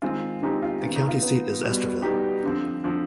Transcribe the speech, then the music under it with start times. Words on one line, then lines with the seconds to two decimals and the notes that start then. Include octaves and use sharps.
The county seat is Estherville.
0.02 D#3 G#3 C4 F4
0.42 D#3 G#3 C4 D#4 G4
0.62 F4
0.82 D#3 B3 F4
0.96 D#4
1.09 F4
1.23 D#3 B3
1.63 B2 G3 B3
2.02 B2 G3 B3 D#4 G4
2.43 D3 F3 C4
2.84 D3 F3 C4